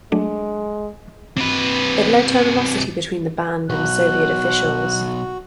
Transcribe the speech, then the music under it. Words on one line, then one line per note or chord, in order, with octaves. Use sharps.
It led to animosity between the band and Soviet officials.
F#3 G#3 A3 D4
C3 B4
B1 F#4 F#6